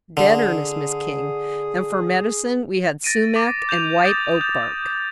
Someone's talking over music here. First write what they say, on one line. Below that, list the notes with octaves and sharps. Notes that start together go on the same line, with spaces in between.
"Dead earnest, Miss King; and for medicine we had sumac and white-oak bark."
D3 G#4
A6 A#6 D7 D#7
D6
G6 E7 F7
D#6 G6 A6
G6